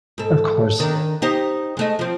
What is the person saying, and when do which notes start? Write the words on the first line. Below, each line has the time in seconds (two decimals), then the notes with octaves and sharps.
Of course, yea
0.18 G#2 A4
0.80 D#3 D4 A#4
1.22 D#4 G4 C5
1.77 G#3 A3 D#5
1.99 F3 C4